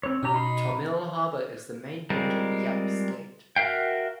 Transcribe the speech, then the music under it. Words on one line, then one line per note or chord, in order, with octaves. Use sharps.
Tomil Harbor is the main port of Yap State.
C4 C#5
B2 C#4 G4 A#5
D#4 B5 C6
G3 G#3 C4 F4 A#4
F#4 A#4 E5 F5 G5